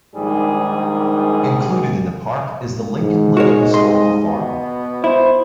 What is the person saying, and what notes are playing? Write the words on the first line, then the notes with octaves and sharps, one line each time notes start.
Included in the park is the Lincoln Living Historical Farm.
A#1 G#2 D#3 G3 G#4
G#2
G#3 F#4 A#4 C#5
C2 D#5 C6
B2 B3
E4 C5